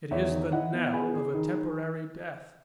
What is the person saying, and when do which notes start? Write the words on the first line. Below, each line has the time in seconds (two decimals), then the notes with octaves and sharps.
It is the knell of a temporary death.
0.11 E2 C#5 E5
0.32 D#3
0.52 E4 D#5 F#5
0.73 B3
0.93 G#4 G#5 B5
1.14 G#4
1.35 D#3